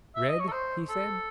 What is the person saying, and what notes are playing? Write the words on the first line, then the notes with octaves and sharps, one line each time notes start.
"Read?" he said.
E5
D#5
C#5
A4
C5
A4